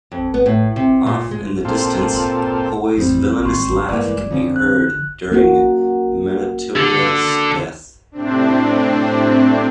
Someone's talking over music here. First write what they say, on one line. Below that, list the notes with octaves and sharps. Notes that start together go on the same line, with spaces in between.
Off in the distance, Hoi's villainous laugh can be heard during Minotia's death.
F2
B3
A2
C3
A#2
G#3
A#2 C4 F4 A4
F2 A2 E3 G3 C4 D#4
A1 D#2 G#2 C6 C#6
G1 E3 G3 G#3 A#3 D5
F2 D3 F3 C4 C#4
F#6
A#3 C#4 F#4
D3
A2 C3 C4 D4